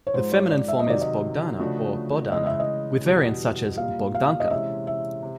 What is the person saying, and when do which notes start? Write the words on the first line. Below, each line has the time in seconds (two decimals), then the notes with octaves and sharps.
The feminine form is Bogdana or Bohdana, with variants such as "Bogdanka".
0.07 C#5
0.14 G#2 F3 G#3 C5
0.32 C#5
0.51 D5
0.68 E5
0.79 D#5
0.86 C3 D#3 F#3 D5
1.01 D#5
1.59 C#3 F3 A3 D4 F#4
2.32 C#3 E3 G#3 D#5
2.46 E5
2.60 D#5
3.05 E2 B2 G3
3.77 A#2 G3 A#3 F5
4.15 F5
4.40 D#5
4.50 C3 E3 G#3 C#4 E5
4.87 E5
5.23 C3